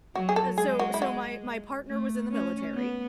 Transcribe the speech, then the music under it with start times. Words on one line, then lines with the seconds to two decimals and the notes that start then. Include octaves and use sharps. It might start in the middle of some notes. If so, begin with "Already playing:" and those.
uh, so so my my partner was in the military
0.15 F#3 F#4
0.29 G#4
0.36 A4
0.58 G#3 G#4
0.79 F#4
0.94 E4
1.02 F#4
1.88 A3
2.31 C#4
2.74 B3